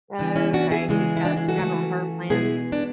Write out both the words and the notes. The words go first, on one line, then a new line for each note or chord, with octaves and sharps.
Okay, she's got got her on her plan.
C#3 E3 B3 D4
C#4 E4
D4 F#4
E4 G#4
C#3 E3 G#3 E4 G#4
E4
D4 F#4
E4 G#4
F#4 A4
C#3 E3 A3
B2 G#3 B3 E4 G#4
D4